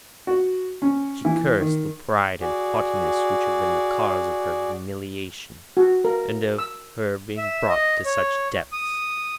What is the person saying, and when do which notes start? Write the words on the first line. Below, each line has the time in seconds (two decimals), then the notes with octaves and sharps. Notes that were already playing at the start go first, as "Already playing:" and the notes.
She cursed the pride and haughtiness which had been the cause of her humiliation, and of her being brought to such depths.
0.27 F#4
0.82 C#4
1.25 E3
1.60 D#3
2.41 F#4 G#4 D5
5.77 F#4
6.05 A#4
6.58 E6
7.38 E5
7.69 D#5
8.05 C#5
8.72 D#6